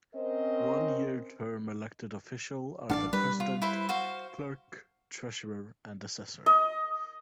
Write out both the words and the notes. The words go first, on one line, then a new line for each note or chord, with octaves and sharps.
One year term elected official are the president, clerk, treasurer and assessor.
C4 C#4 A#4 C5 D#5
A1 D4 D5 F5 F#5
G3 B4
F4
E4 B4 C5
F#4 C5 F5
D#5